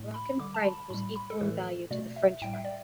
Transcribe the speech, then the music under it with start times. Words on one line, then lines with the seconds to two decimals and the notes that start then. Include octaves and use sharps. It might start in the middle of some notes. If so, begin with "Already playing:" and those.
The Moroccan franc was equal in value to the French franc.
Already playing: A2 A3
0.14 B5
0.39 D3 G3 D6
0.54 A5
0.65 B5
0.90 A2 G3 B5
1.16 B5
1.30 A4
1.41 A2 E3 A3 B4
1.91 B2 A3 D5
2.16 E5
2.41 A2 G3 G5
2.54 E5
2.65 D5